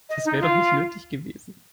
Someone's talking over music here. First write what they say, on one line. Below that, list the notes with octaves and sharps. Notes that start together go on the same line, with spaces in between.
Das wäre doch nicht nötig gewesen.
D#5
D#4
F4